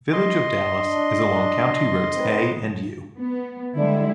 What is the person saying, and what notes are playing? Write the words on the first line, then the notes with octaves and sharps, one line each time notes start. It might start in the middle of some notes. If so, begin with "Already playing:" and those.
Village of Dallas is along County Roads A and U.
D#5 C6
D4
C4 D#4 B4
B3
D3 G3 G#3 E4